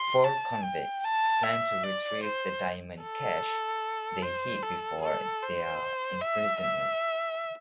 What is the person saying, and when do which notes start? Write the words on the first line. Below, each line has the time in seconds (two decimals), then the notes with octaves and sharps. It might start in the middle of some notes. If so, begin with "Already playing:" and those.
Four convicts plan to retrieve the diamond cache they hid before their imprisonment.
Already playing: C6
0.24 A5
0.64 G5
1.04 A5
1.44 E5
1.83 D5
2.23 C5
3.03 A4
4.22 C5
4.63 A4
5.02 A4
5.42 C5
6.21 E5
6.61 E5